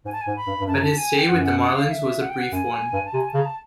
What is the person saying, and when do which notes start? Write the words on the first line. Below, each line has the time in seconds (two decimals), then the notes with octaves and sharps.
But his stay with the Marlins was a brief one.
0.05 G#2 G#5
0.13 A5
0.21 G#5
0.27 G#2
0.37 B5
0.47 G2
0.61 G2
0.67 F#2 A5
0.75 A#5
0.82 A5
0.98 G#5
1.18 G5
1.28 F#2 F#5
1.44 F#5
1.60 F#5
1.75 F5
1.91 E5
2.22 F#5
2.29 G5
2.38 F#5
2.52 F#2 G#5
2.93 G2
3.05 A5
3.14 C3 G#5
3.29 A5
3.34 C#3
3.39 A#5
3.45 A5